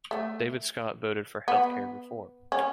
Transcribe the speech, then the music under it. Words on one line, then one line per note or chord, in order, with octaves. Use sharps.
David Scott voted for healthcare reform.
A3
B3
C#4